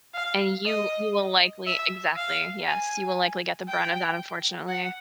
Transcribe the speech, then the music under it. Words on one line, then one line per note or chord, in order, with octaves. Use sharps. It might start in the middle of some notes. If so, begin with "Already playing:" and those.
And you you will likely exactly. Yes. You will likely get the brunt of that, unfortunately.
F5
D#5
E5
F5
G#5
G5
F#5